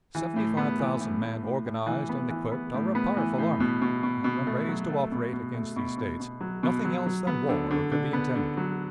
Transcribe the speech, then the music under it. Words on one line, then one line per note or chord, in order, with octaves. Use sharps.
Seventy-five thousand men organized and equipped are a powerful army, and, when raised to operate against these States, nothing else than war could be intended.
E3
A2
B3
E3
A2
A2
A2
A2
E3
B3
E3
B3
A2
B3
E3
A2
B2
B2
B2
B2
A3
F#3
A3
B2
B2
A3
B2
B2
B2
F#3
B2
F#3
F#3
B3
D3
D3
D3
B3
D3
F#3